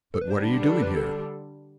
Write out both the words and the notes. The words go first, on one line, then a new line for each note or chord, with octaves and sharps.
"But what are you doing here?"
A4
B4
D3 G3 D4 C5
B4
A4
B4
A4